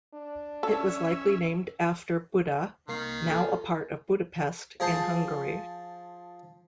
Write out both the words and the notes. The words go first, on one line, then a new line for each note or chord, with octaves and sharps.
It was likely named after Buda, now a part of Budapest, in Hungary.
D4
C#4 A4 E5
C2 D#3 A#3 C7
F4 G#4 A4
F3 G#4 C5 A5 C6